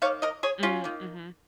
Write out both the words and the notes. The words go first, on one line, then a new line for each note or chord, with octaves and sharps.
Mm, mhm.
D#3 A#3 C#5 F5
A#4 D#5
G#4 C#5
C#4 F4
D#3 A#3